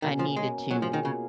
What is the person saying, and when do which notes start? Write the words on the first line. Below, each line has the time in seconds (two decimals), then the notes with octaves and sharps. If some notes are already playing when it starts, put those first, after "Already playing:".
I needed to
0.02 B2 D#3 A#3 C#4
0.19 F3
0.37 G#3
0.71 B2 F#3 A#3 F4 G#4
0.82 F3
0.93 D#3
1.05 C#3